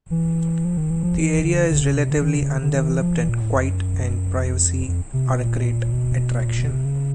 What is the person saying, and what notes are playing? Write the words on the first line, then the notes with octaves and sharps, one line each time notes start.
The area is relatively undeveloped and quiet and privacy are a great attraction.
E3
F3
D#3
E3
F3
E3
D3
D3
C#3
C3
D3
D#3
C#3
D3
D3
D#3
E3
F3
E3
A#2
A2
F2
F#2
F2
F2
C3
B2
A#2
B2
A#2
B2
C3
C#3